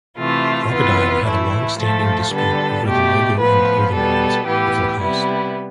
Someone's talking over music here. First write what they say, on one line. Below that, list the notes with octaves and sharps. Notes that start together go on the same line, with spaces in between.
Crocodile had a long-standing dispute over the logo and clothing lines with Lacoste.
C3 E3 A3 F4
C3 E3 B3 F4
A2 E3 A3 E4
A2 F3 A3 A4
D3 G3 B3 A4
B2 A3 G4
A2 F3 B3 B4
B2 G3 B3 A4
A2 E3 B3 G4
C3 G3 B3 E4